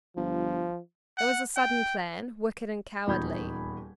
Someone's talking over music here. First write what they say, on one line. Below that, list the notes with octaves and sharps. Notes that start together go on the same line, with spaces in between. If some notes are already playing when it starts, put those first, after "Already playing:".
It was a sudden plan, wicked and cowardly.
G1 F3
F#5
G5
D#1 E2 D#4 B5 G6 G#6